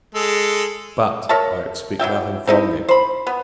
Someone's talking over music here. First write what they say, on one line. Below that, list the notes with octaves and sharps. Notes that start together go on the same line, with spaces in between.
But, I expect nothing from them.
G#3 A4
A#4 C#5 E5 A5
E3 F#3 E5 G5
C4 D#4 E4
C5 B5
B3